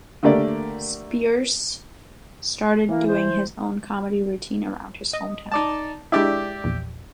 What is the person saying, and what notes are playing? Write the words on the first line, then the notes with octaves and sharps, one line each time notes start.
Spears started doing his own comedy routine around his hometown.
D3 A3 A#3 G4 D5
E3 A#3
C5
D#5
D#4 D5 A5
G#3 D4 E4 G4 D5 E5
A#1 E2